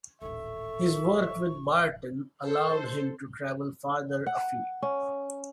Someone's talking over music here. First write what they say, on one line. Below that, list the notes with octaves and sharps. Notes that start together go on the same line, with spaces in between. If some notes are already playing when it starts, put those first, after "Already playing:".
His work with Barton allowed him to travel farther afield.
D#1 A1 A4 E5 C#6
A4 C5
F#5
C#4